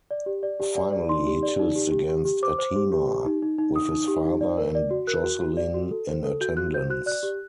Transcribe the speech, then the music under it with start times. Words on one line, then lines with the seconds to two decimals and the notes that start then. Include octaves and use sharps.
Finally he tilts against Adhemar, with his father and Jocelyn in attendance.
0.11 D5
0.26 G4
0.43 D5
0.60 G4
0.76 D5
0.93 D5
1.09 D#4 C6
1.27 G4
1.43 D5
1.60 D#4
1.76 G4
1.92 G4
2.09 G4
2.25 G4
2.43 C5 D6
2.59 C5
2.76 G4
2.92 G4
3.08 G4
3.26 D#4
3.42 D#4
3.58 D#4
3.74 D#4 D#6
3.92 D#4
4.08 G4
4.25 D#4
4.41 D5
4.57 A#4
4.75 D5
4.91 F#4
5.07 A#4 F#6
5.24 F#4
5.41 F#4
5.57 D5
5.74 F#4
5.91 A4
6.08 C5
6.24 A4
6.41 F#4 G6
6.57 F#4 F#6
6.74 C5 G6
6.90 F#4 F#6
7.06 D5 F#6
7.23 G4